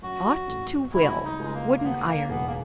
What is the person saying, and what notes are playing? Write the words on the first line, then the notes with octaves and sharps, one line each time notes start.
"Ought to will!"--wooden iron!
F#2 F#4
G#1
C#2 E4
F#4
E4
D#4
C#2 G#3
A#3
A#3
D#2 B3
A#3
E1 B3
A#3